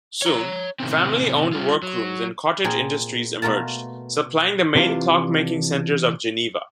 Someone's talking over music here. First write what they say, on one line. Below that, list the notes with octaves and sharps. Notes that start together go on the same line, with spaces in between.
Soon, family-owned workrooms and cottage industries emerged, supplying the main clock-making centres of Geneva.
C#5 A#5
A2 C3 D#3 A3 B3 C4
G3 F4
F#3
A#2 C4 G#4 A#4 C5
B2 A3 F4 A#4 A5
C3 E3 D4 F4